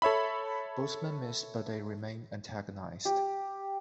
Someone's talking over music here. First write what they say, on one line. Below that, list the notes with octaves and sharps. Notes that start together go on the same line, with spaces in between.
Both men missed but they remained antagonised.
A4 C#5 E5 B5
G4